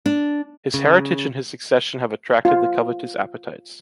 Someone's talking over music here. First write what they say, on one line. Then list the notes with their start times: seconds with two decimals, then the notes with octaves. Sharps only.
His heritage and his succession have attracted the covetous appetites.
0.06 D4
0.74 C#3
2.45 F4